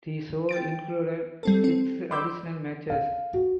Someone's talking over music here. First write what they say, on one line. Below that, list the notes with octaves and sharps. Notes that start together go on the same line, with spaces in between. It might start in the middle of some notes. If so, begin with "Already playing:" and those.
The show included six additional matches.
G5 A6 D7
G3 C4 A4
C4
B5 C6 D6 E6 G6
F5
F#4